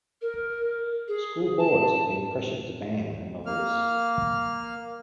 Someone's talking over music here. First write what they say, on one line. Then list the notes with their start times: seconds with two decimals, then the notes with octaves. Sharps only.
School boards have been pressured to ban her novels.
0.21 A#4
1.08 G#4
1.58 A5
3.46 A#3 F6